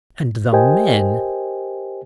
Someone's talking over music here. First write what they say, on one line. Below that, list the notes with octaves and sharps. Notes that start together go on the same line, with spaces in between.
And the men!
G4 A#4 C5 D#5 G5 G#5